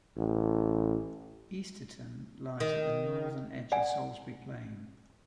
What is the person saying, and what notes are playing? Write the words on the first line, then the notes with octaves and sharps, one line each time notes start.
Easterton lies at the northern edge of Salisbury Plain.
A1
D#3
D5 F#5 G#5